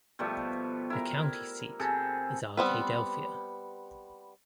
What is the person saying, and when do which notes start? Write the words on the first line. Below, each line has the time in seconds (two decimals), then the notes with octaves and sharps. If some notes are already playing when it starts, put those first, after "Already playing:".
The county seat is Arkadelphia.
0.19 B2 F3 G3 A3
0.90 E4 A#4
1.80 C3 G#4 A4
2.57 G3 B3 C4 B4